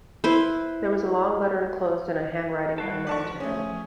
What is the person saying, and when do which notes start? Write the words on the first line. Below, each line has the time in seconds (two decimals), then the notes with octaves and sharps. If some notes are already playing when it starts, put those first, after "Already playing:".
There was a long letter enclosed in a handwriting unknown to him.
0.24 E4 B4 C5
2.78 G3 F4 F#4 A4
3.07 F3 B4 D5 A5 C#6
3.40 A3 C#4 G#4